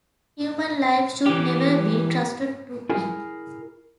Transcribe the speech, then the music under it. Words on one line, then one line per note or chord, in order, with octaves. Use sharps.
Human life should never be trusted to it.
E3 G4
E4 G#4 A#4 G#5